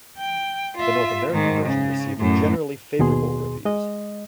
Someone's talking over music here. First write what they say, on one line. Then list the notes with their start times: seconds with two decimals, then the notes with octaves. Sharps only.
The North American version received generally favorable reviews.
0.17 G5
0.77 F4 E5
1.32 G#2 D#3
1.66 C#3
2.18 F#2 A2
2.99 D#2 B2 G#4 C6
3.65 G#3 D#5